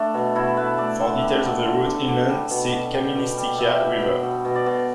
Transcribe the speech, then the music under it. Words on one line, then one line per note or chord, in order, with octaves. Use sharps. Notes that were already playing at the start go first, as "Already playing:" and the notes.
For details of the route inland see Kaministiquia River.
Already playing: A3 D4
B2
B2 E4
A3 B4
A3 D5
D3 E5
G3
D3
D3
D3
D3
G3
B2
B2
G3 G5
B2
G3
B2 E5
G5
B2
G5
B2
B2
B2
D5
B2